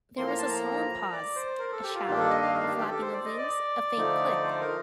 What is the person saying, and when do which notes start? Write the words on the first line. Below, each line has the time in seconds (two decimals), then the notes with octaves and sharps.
There was a solemn pause — a shout — a flapping of wings — a faint click.
0.17 A2 F3 A#3 C6
0.27 A#5
0.39 A5
0.49 A#5
1.12 D5
1.36 C5
1.59 A#4
1.72 A4
1.83 G4
1.95 F4
2.06 G2 D#3 A#3 D4 G4
2.19 A4
2.30 D#5
2.42 F5
2.55 F5
2.66 G4
2.78 G4
2.90 A4
3.02 C5
3.13 D5
3.25 D#5
3.38 D5
3.96 D3 F3 A3 D#4
4.44 C5
4.60 A#4